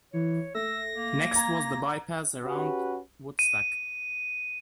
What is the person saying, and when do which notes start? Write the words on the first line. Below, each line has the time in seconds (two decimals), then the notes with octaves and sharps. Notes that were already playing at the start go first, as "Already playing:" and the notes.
Next was the bypass around Woodstock.
0.13 E3 C#5
0.55 A3 E6 A#6
0.95 A#3
1.31 A#5 G#6
2.44 C#4 F#4 G4 B4
3.39 D#7